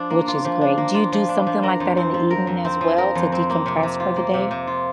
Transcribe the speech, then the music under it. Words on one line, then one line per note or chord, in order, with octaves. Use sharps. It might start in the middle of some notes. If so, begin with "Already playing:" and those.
which is great. Do you do something like that in the evening, as well, to decompress for the day?
Already playing: F3 D4 F4
A#3
F4
F3
D4
A#3
F4
F3
D4
F3
A#4
F2
C4
F3
A#4
F2
C4
F3
A#4
F2
C4
A#3
C3
C3
F4
A#3
C3
C3
F4